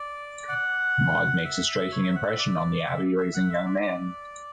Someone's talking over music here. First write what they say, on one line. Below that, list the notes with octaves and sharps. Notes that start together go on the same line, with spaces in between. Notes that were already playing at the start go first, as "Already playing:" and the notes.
Maude makes a striking impression on the abbey-raised young man.
Already playing: D5
F#5
E5
E5
C#5
E5
F#5
E5
D5
E5
E5
F#5
E5
D5
D5